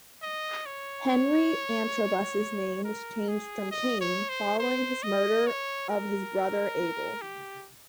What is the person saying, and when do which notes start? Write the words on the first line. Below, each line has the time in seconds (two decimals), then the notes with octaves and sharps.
Henry Antrobus's name was changed from "Cain", following his murder of his brother Abel.
0.22 D#5
0.66 C#5
2.85 A#4
3.28 G#4
3.71 D#5
4.01 C#5
4.29 C5
4.59 C5
5.03 D#5
5.47 C#5
5.89 A#4
7.21 G4